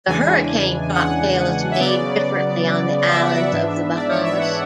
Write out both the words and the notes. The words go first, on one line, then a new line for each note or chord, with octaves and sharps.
The hurricane cocktail is made differently on the islands of the Bahamas.
E2 C#3 E3 G#3 D4 G#5
F#5
E5
C#3 F#3 B3 D5
E5
F#5
E5
G#2 E3 B3 D4
D5
C#5
E5
F#5